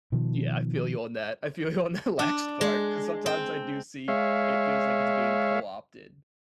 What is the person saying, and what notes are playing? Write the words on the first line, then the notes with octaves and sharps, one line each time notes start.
Yeah, I feel you on that, I feel you on that last part, 'cause sometimes I do see it feels like it's being co-opted
B2 D#3 F3
D4
G#3
C4
G#3 C#5 E5 F5